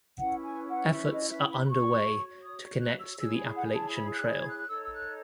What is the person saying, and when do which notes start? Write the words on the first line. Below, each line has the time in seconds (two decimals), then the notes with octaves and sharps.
Efforts are under way to connect to the Appalachian Trail.
0.17 C#4 E4 B4 F#5
0.42 G#5
0.67 F#5
0.92 E5
1.11 D#5
1.29 E5
1.49 B5
1.62 B5
1.67 F#4 C#5 C#6
2.42 D#6
2.79 F#6
2.99 E6
3.17 E4 G#4 C#5 E6
3.36 G#5
3.55 F#5
3.65 G#5
3.73 A5
3.92 B5
4.10 F#6
4.30 G#6
4.41 G#6
4.48 F#6
4.59 F#6
4.67 D#4 A4 C#5 E6
4.82 E6
4.92 F#6